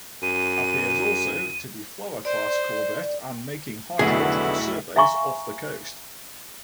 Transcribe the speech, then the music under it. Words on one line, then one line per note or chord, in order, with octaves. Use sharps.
Appears also to be Flower Class corvette and making hydrological surveys off the coast.
F#2 D#7
C5 D5
F1 B1 D3 A3 B3 E4 F#4 G#4
E5 F5 G#5 A#5 C6 C#6